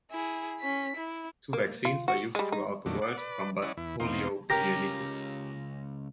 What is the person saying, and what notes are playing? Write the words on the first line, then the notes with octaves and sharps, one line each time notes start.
Two vaccines are used throughout the world to combat poliomyelitis.
E4 G#4
C#4 B6
E4
A#3
F4
F#4
G3 G#3
D#4
F2 A#2 D#3 F#3 A3 D4
D5 F#5
B4 D5
C#4 E4 D5 D#5 F#5
E2 E4
E2 B2 C4 D#4 F5 C6
C#2 C#4 G4 A#4 A#6